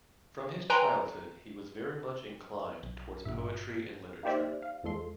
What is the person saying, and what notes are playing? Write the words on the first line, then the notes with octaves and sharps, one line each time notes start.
From his childhood he was very much inclined towards poetry and literature.
B4 G5 G#5 A#5 C6
B1
G#1 G2 A#2 E5
A#3 D#4 G4 C5 D5 E5
F5
E2 F3 G#3 A4 C6